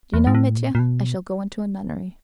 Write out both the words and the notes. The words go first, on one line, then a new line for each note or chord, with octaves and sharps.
Do you know, Mitya, I shall go into a nunnery.
E2
G#2
A2
A#2
A#2
B2